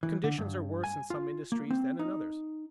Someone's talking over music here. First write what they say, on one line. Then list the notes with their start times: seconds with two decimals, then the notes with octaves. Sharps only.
Conditions are worse in some industries than in others.
0.03 E3
0.24 D3
0.38 G2
0.84 G#5
1.10 F4
1.52 A#3
1.70 C4
1.99 D#4